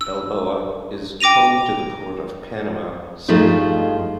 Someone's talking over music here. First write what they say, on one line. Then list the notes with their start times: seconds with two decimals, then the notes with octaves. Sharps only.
Balboa is home to the port of Panama City.
0.01 E6
1.20 G5 D6 A#6 D#7 F7
3.28 G2 F3 G#3 A3 D#4